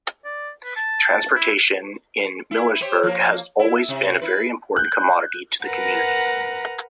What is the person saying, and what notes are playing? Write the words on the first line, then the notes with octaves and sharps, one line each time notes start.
Transportation in Millersburg has always been a very important commodity to the community.
D5
B4
A5
E4
E4
G4 C5 C#5
F3 A#3
E4
C3
E4 B4
F#6 G6
A#4 B4 F#5 A#5